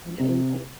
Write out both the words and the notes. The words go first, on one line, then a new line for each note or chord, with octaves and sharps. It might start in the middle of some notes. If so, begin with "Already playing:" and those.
And able.
C3